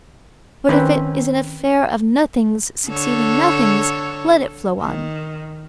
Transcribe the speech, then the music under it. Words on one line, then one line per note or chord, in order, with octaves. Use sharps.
But if it is an affair of nothings succeeding nothings, let it flow on.
D#3 C4 C#4 B4
D3 A4 C#5
D#3